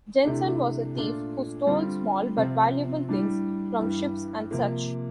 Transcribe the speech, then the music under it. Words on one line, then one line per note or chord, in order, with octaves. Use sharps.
Jensen was a thief who stole small, but valuable things from ships and such.
C3 E3 A3 D4 G4
A#2 A3 D4 F4
D3 G3 C4 F4
C3 F3 C4 F4
A2 G3 D4
G2 E3 G3
C3 F3 A#3